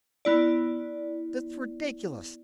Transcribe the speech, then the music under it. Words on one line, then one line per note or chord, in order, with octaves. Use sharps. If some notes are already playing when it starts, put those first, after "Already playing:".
That's ridiculous.
B3 E4 D5